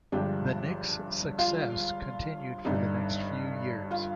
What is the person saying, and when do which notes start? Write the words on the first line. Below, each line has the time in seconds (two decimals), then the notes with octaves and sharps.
The Knicks' success continued for the next few years.
0.12 G1 G2 F3 G#3 D4 G4 G5
1.39 F4 F5
2.65 G1 G2 D3 G3 D#4 D#5
3.91 F4 F5